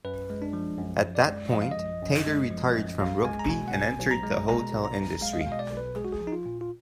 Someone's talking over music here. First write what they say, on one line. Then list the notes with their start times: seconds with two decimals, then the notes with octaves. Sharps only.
At that point, Taylor retired from Rugby and entered the hotel industry.
0.05 F#2 B4
0.30 G#3
0.42 D4
0.53 F3
0.78 F#2
1.03 F#2
1.15 D5
1.27 G#3
1.52 F3 D#5
1.62 F5
1.71 D#5
1.77 F#2
2.02 F#2
2.26 G#3
2.50 F3
2.76 F#2
3.00 B1 F5
3.24 G#3 G#5
3.39 A#5
3.49 B2 G#5
3.68 F#5
3.73 B1 G#5
3.98 B1
4.11 A#5
4.23 G#3
4.48 B2 A#5
4.73 B1
4.85 A#5
4.97 B1
5.21 G#3 F5
5.33 D#5
5.41 F5
5.46 B2
5.52 D#5
5.59 D5
5.71 B1
5.77 B4
5.96 G#3 G#4
6.05 F#4
6.12 G#4
6.21 F3
6.27 D#4
6.32 F4
6.46 A#2
6.61 F4